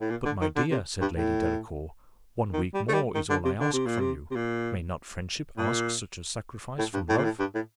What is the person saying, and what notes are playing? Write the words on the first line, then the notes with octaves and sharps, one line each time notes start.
"But, my dear," said Lady Delacour, "one week more is all I ask from you--may not friendship ask such a sacrifice from love?"
A2
A#2
D3
D#3
D3
C3
G2
A2
D#3
G3
A3
G3
D#3
D3
C3
D3
C3
A#2
C3
C3
A#2
A#2
A2
G2
A2
A#2
A2
G2
A2